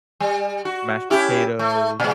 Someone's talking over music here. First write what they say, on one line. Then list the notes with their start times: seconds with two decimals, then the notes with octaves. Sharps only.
mashed potatoes.
0.20 G3
0.65 F#4
1.10 C#4 E4 G4
1.59 A3
2.00 A#2 G#3